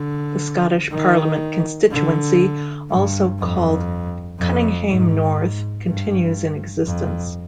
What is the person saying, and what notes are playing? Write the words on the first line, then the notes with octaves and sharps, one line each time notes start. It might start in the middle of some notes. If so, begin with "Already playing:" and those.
The Scottish Parliament constituency also called "Cunninghame North" continues in existence.
Already playing: D3
D#3
D3
G2
F2
F2
G#2
G2
F2